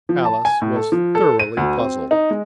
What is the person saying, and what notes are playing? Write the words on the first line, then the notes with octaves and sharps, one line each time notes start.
Alice was thoroughly puzzled.
F3
A5
G#5
A2
A4
F3
A4
D#7
D2
C4
D#4
G#3